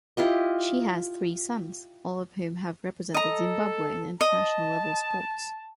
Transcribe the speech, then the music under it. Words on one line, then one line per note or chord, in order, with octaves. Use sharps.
She has three sons, all of whom have represented Zimbabwe in international-level sports.
E4 F4 G4 D#5
A4 D#5 A#5
D#5 A5